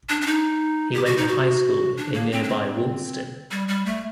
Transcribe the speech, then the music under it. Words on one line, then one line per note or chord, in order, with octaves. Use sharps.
He went to high school in nearby Wolsztyn.
D4
D4
D#4
G4
F#4
D#4
F#4
D4
A#3
C4
D4
C4
G3
G3
A3